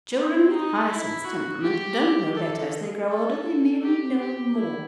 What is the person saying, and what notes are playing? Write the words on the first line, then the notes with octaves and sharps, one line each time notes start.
"Children with Hyacinth's temperament don't know better as they grow older; they merely know more."
C4
D#4
E4
F#4
G4
A4
A4
G4
G4
E4